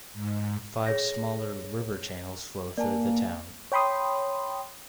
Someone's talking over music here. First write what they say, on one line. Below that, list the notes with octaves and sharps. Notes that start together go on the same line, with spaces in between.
Five smaller river channels flow through the town.
G#2
G#4 C#5 A#6
A#3 D5 G#5 A5
C#5 G5 B5 C6 D#6